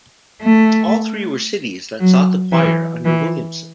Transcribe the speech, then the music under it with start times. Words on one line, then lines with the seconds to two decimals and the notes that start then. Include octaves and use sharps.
All three were cities that sought the choir under Williamson.
0.42 A3
2.00 F#3
2.52 E3
3.05 E3